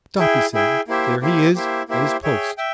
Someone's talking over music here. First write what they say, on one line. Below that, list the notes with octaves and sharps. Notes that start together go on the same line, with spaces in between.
"Stop!" he said, "there he is at his post."
E4 G#4 E5 G5
E4 G#4 E5 G5
A#3 E4 G4 C5 E5
A#3 E4 G4 C5 E5
A#3 E4 G4 C5 E5
A#3 E4 G4 C5 E5
G#4 C#5 E5 G5
E5 G5